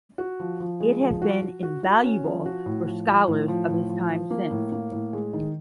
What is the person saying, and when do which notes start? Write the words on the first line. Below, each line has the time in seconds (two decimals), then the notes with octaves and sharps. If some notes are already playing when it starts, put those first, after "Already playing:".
It has been invaluable for scholars of his time and since.
0.18 F#4
0.40 F3
0.60 F3
0.80 G#3
1.01 F3
1.22 F#4
1.42 F#4
1.63 F#4
1.83 F#4
2.04 C#4
2.24 F3
2.46 F#4
2.66 A2
2.87 F3
3.07 F3
3.27 A2
3.48 F3
3.68 A2
3.89 F3
4.09 F3
4.30 A#3
4.51 A2
4.72 A#3
4.92 A2
5.13 G#3
5.33 D#3